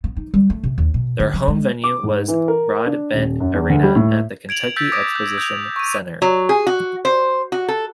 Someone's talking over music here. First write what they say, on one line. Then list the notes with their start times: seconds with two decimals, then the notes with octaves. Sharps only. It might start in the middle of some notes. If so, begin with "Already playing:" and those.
Their home venue was Broadbent Arena at the Kentucky Exposition Center.
0.04 B3
0.17 D#4
0.34 G3
0.50 A3
0.63 C3
0.78 D#2
0.94 B2
1.20 D3
1.34 F3
1.48 G#3
1.84 D6
2.03 G#2
2.28 E3
2.48 A#4
2.86 D4
3.14 D#1
3.40 F#2
3.54 E2
3.70 D2
3.83 G3
3.96 A2
4.49 G#6 D7 F7 F#7
4.76 E6 G6 A6 B6
4.92 D6 D#6 G#6 A#6 D7
5.16 G6
5.38 G6 F7
5.76 C#6 D#7
6.22 F#3
6.49 G#4
6.67 F#4
7.05 C5
7.52 F#4
7.68 A4